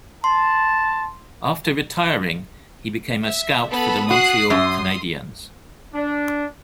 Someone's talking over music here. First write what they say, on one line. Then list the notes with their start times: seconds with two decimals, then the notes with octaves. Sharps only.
After retiring, he became a scout for the Montreal Canadiens.
0.24 A5 C6
3.22 E5
3.70 B3 A4 B5
4.11 F#4 D#6 F#6 C7
4.50 F#2 C6 D#6
5.94 D4